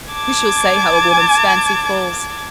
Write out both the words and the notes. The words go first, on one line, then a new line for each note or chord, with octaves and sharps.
Who shall say how a woman's fancy falls?
A5 D6 G#6